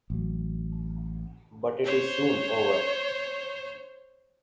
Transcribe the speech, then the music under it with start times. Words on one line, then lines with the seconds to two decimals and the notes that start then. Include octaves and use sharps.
But it is soon over.
0.10 A1 F#3
1.85 C5 C#5